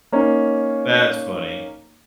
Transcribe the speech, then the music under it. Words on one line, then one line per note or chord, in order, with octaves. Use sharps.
That's funny.
A#3 C#4 D#4